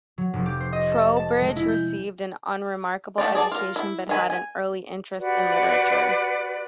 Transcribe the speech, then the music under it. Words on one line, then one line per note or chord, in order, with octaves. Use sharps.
Trowbridge received an unremarkable education, but had an early interest in literature.
F#3
F1
G4
C5
D#5
A4
A5
G#3
E4
G6
A3 D4 D#4 D5
G#4 D5 A5
F4 A#4
E4
D#3 G#5 B5
G#5
F#4 G4 B4 D5